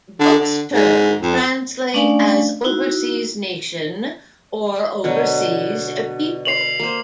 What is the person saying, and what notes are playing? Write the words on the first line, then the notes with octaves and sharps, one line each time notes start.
Both terms translate as "overseas nation" or "overseas people".
D3
D3
G#2
F2
A3 C#4 D4 D5 F5 G#5
D#4 E4 F#4
B2 D3 F#3
C7 F7 F#7
A#3 C5